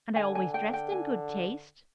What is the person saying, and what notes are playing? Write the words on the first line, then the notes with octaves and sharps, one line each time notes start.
"And I always dressed in good taste."
D3 G#5
G#5
G5
G5
G#5